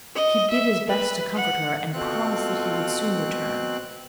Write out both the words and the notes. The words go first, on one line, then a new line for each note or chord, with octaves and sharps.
He did his best to comfort her and promised that he would soon return.
D#5
E5
B4
F#5
B2 C4 F4 A4 F#6